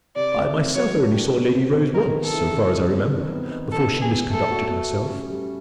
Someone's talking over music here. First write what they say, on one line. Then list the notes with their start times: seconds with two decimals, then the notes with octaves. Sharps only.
I myself only saw Lady Rose once, so far as I remember, before she misconducted herself.
0.16 C3 D5
0.36 A3
0.55 C4
0.75 F#3 C#5
0.95 D4
1.14 G4
1.35 B2
1.55 C4
1.75 B2
1.94 D#3 A#4
2.14 B3
2.24 A4
2.34 E4
2.53 C#3
2.72 G#3
2.92 C4
3.13 D#3
3.32 B3
3.51 D#3
3.72 B2 A4
3.92 B3
4.01 G#4
4.11 B2
4.31 A3 A4
4.51 F#4
4.71 A3
4.91 G3
5.10 C#4
5.30 G3